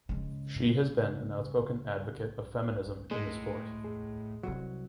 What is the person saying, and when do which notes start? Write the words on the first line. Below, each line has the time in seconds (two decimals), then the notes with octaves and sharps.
She has been an outspoken advocate of feminism in the sport.
0.09 C#3 G#3
3.11 A2 G#3
3.84 E2 G#4
4.43 C2 F2 F#3